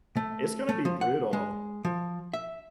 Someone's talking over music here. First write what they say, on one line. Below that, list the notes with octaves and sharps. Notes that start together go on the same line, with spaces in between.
It's gonna be brutal.
A3
A3
F3
F#5
G#3
F3
E5